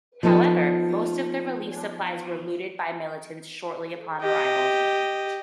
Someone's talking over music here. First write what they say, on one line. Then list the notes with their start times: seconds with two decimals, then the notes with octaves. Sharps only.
However, most of the relief supplies were looted by militants shortly upon arrival.
0.23 F3 B3 D#4 A4
4.21 G4 D#5